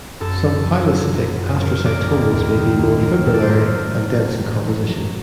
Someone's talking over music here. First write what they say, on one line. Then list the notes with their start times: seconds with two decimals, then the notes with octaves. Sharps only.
Some pilocytic astrocytomas may be more fibrillary and dense in composition.
0.20 F#2 A4
0.44 F#3
0.67 F#3
0.91 F#3
1.15 F#3
1.38 F#2
1.61 F#3 A#4
1.84 F#3 A#4 D5
2.08 D#2 A#4
2.31 D#2 A#4
2.56 D#3
2.79 D#2
3.02 F#3 A#4
3.26 A2 A4
3.34 D5
3.42 C5
3.49 F#3 A#4
3.72 F#3
3.96 F#3
4.20 A2
4.43 F#3
4.67 F#3
4.90 F#3